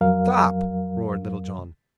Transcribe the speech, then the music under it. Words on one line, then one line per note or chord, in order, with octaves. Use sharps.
"Stop!" roared Little John.
F2 F#3 A#4 F5